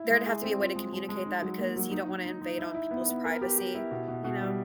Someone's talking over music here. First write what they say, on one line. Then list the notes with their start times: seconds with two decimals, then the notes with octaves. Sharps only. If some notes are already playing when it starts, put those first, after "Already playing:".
there'd have to be a way to communicate that because you don't wanna invade on people's privacy, you know?
Already playing: E4
0.10 G#3
0.26 G#4
0.43 C4
0.60 F4
0.75 G#3
0.93 G#3
1.09 G#3
1.26 D#4
1.42 F#3
1.58 A#3
1.76 F#3
1.91 D#4
2.08 D#4
2.25 D#4
2.42 D#4
2.58 E4
2.75 E4
2.91 B3
3.09 B3
3.25 A#4
3.41 G4
3.58 G4
3.75 E4
3.91 B2
4.08 B2
4.24 B2
4.41 G3